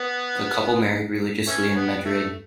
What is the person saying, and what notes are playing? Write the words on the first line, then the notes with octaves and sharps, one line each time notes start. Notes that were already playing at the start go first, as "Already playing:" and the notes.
The couple married religiously in Madrid.
Already playing: B3
E3 A3 C#4
C#4
B3
A3